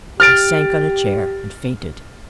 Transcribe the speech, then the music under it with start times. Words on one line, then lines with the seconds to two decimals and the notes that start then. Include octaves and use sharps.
I sank on a chair and fainted.
0.20 G4 F6 A6 D7